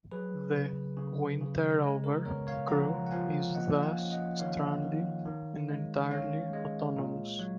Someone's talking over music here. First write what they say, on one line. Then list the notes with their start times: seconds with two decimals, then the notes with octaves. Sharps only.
The "winterover" crew is thus stranded and entirely autonomous.
0.12 F#3 G#4 B4
0.55 C#3
0.97 C#3
1.41 C#3
1.83 G#3
2.04 A#4
2.25 B3 A#4 C#5
2.47 C#5 F5
2.68 F3 F#5 A#5
3.06 F#5
3.11 F3 F5 G#5
3.54 A#3 D#5 F#5
3.83 F5 G#5
3.98 C#4
4.11 D#5 F#5
4.39 D#3 C#5 F5
4.82 D#3
5.25 D#3
5.69 G#3
6.11 C#4 C#5 F5
6.53 G#3
6.96 A#2
7.39 F#3